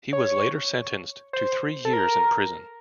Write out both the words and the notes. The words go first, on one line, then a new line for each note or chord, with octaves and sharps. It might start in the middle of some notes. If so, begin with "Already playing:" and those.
He was later sentenced to three years in prison.
C#5
C5
A4
A#4